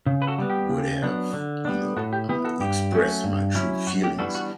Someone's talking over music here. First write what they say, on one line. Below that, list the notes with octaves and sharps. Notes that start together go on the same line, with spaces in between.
would have, you know, uh, expressed my true feelings,
C#3
B4
F#4 A4
G3 B3
G4
C#3
F#3 B3 D4
D3
G3 B3 D4
A2 F#4 A4
G4
E3 B3 G4
F#4 A4
G2 G4
F#3 A3 C#4
G2
F#3 C#4 E4
F#2 F#4
G4
E3 G3 B3 D4 F#4 A4
F#4